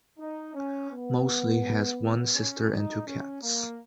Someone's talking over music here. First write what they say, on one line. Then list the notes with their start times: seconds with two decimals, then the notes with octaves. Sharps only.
Mosley has one sister and two cats.
0.19 D#4
0.54 C#4
0.91 B3
2.34 C#4
2.71 D#4
3.07 C#4
3.42 A#3